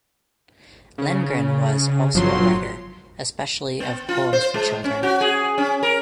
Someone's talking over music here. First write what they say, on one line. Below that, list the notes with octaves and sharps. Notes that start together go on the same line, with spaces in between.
Lengren was also a writer, especially of poems for children.
C#3
G1 F3 F#3 C6
B3
F4
C5
G#3
C#4
F#4
G#4
C#4
A#4